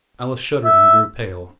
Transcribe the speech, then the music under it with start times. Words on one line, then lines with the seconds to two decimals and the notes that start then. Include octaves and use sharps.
Alice shuddered and grew pale.
0.65 E5